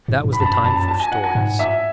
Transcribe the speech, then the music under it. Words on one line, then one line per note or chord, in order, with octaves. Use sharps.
That was the time for stories.
G#2
G#2
B5
F#2 A5
B5
F#2 A5
A5
A5
G#5
F#5
G#5
G#2 F#5
E5